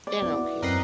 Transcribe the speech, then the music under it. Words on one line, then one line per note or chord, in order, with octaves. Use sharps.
They don't care.
D5
B3 E4
F#2 C4 A#4 B4 D#5 C7